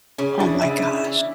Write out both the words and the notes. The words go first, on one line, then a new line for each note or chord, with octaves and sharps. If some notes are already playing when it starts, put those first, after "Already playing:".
Oh my gosh.
C#3 C#4
E3 D4
C#3 E4
C#3
E3